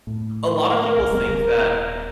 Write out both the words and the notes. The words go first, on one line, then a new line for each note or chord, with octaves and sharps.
a lot of people think that
A2
A#4
D#1 G3 B3